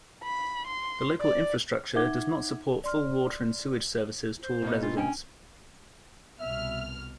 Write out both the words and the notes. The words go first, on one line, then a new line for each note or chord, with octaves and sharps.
The local infrastructure does not support full water and sewage services to all residents.
B5
C6
D5
D#4 E5 F#5 D6 G#6 G7
D5 C6 F6
C5
B2 A#3 D#4
D4 F4
C#4 D4 G5 G#5
C2 B2 E5 F6